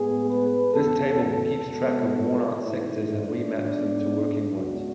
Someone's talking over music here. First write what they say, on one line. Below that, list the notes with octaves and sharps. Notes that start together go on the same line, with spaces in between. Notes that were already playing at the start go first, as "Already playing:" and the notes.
This table keeps track of worn-out sectors and remaps them to working ones.
Already playing: A2 G#3 B3 G#4
B4
E2 C#3 E3 B3 A4
A4
B2 G#3 B3
G#2 E3 A3 E4
D4
G#2 G#3 B3
C#2 C#3 G#3 B3 F#4